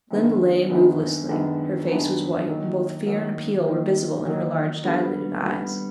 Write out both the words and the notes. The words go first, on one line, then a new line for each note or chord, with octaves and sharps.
Lynde lay movelessly; her face was white, and both fear and appeal were visible in her large dilated eyes.
F#2 D#3 G#3 B3 D4
F#2 D#3 G#3 B3 D4
F#2 D#3 G#3 B3 D4
F#2 D#3 G#3 B3 D4
D#3 F#3 A#3 D#4
D#3 F#3 A#3 D#4
D#3 F#3 A#3 D#4
D#3 F#3 A#3 D#4
D3 G3 B3
D3 G3 B3